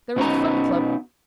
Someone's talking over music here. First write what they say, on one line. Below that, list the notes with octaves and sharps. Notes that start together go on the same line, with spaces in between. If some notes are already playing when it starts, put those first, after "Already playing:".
There was the Fun Club.
B2 B3 C#4 D#4 F#4 A#5